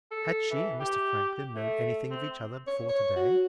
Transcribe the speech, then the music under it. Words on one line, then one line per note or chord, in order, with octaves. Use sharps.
Had she and Mr. Franklin known anything of each other before to-day?
A4
E3
G4
A3
C4
C#5
C#5
F#4